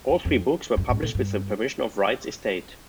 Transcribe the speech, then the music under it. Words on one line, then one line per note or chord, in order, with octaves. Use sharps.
All three books were published with the permission of Wright's estate.
E2
F2
F#2
G#2
A2
G2